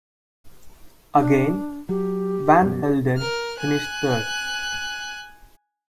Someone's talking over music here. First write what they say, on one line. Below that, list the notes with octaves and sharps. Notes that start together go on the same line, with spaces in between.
Again, Van Helden finished third.
D4
F#3 G4
F#2 B2
A#4 F6
G#5 F#6